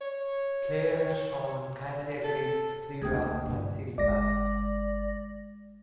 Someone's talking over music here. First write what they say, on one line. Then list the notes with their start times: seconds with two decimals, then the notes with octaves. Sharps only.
Claire and Sean kindly agreed to clear out my city pad.
0.01 C#5
2.24 A4
3.02 D2 A#3 G5 D#6 G#6
3.46 G2 D3
3.98 G1 G#3 D5 D6 A#6